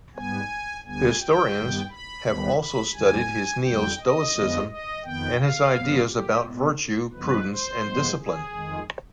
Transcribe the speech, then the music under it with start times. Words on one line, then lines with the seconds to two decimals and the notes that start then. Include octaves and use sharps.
Historians have also studied his neo-Stoicism and his ideas about virtue, prudence, and discipline.
0.14 G#2 G3 B3 G#5
0.84 D2 D3 G3 B3 G#5
1.19 G5
1.54 G2 D#3 G3 B3
1.89 B5
2.23 D#2 D#3 G3 B3
2.59 B5
2.93 F2 D3 G3 G#5
3.63 F2 D3 G3 G5
3.98 D#5
4.33 F2 D3 F3 G#3 B3
4.68 D#5
5.03 F2 D#3 B3 G5
5.38 F5
5.73 G2 F3 B3
6.07 G4
6.42 B2 G#3 B3
7.13 G2 D3 F3 G#3 B3 B4
7.47 C5
7.82 G#2 F3 G#3 B3
8.17 G#4
8.52 F2 D#3 G#3